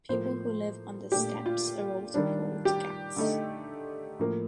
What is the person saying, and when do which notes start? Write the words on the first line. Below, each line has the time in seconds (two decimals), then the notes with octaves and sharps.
People who live on the steps are also called ghats.
0.09 A2 F3 A#3 C5
1.11 A#2 A3 D4 G4
1.46 F4
2.14 D#3 G3 D4
2.65 G4
3.16 D3 A3 D#4
4.19 A2 F3 A#3